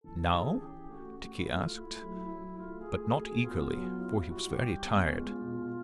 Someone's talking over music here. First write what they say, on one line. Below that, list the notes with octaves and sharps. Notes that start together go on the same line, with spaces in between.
"Now?" Dickie asked, but not eagerly, for he was very tired.
E3 A4
G4
E3 G#4
G#4
C#4 G4
A3 F#4
A3 F#4
E4
A3 F4
A3 E4
F#3
E4
F#3
A3 F4
G#4
A3
G#4
F#4
G#4
B3 F4
F#3
E4
G3 F#4
G4
G3
G4
B3
C#4
G#3 F4
B2